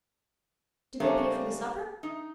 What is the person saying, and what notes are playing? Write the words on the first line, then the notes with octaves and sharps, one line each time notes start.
"Did they pay for the supper?"
C#3 G3 A3 A#3 D4 C#5
D#4